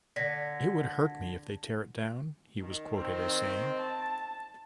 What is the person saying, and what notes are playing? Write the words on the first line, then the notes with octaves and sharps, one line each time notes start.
"It would hurt me if they tear it down", he was quoted as saying.
D3 G#6 A#6 B6
D#3
D#3 C4
A5